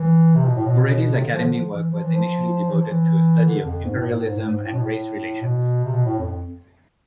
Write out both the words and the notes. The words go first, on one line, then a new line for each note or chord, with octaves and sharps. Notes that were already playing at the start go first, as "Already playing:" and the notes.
Furedi's academic work was initially devoted to a study of imperialism and race relations.
Already playing: E3
C3
B2
A2
B2
C3
D3
F3
D3
F3
E3
F3
E3
F3
E3
F3
E3
D3
F2
G#2
A2
G#2
A2
G#2
A2
G#2
A2
B2
A2
B2
C3
B2
A2
F2